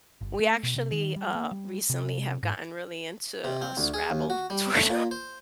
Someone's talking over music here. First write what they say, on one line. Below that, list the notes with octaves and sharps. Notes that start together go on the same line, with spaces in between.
We actually, uh, recently have gotten really into, uh, Scrabble tourna
G1
A3
B2
C3
D#3
G3
A#3
G3
C3
G#2
C3
C4
D2
G#4
D#2
F#4
G3
A3
A#2
C5